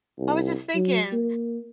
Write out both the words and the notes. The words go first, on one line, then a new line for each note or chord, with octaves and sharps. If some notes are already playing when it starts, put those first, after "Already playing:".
I was just thinking,
C2
F#3
A#3